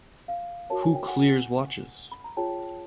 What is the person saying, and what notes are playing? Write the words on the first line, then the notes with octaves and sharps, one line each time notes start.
Who clears watches?
F5
F#4 A#4 C#5 A5
G#5
G5
F#5 G#5
B5
A#5
F4 G#4 C#5 G5 A5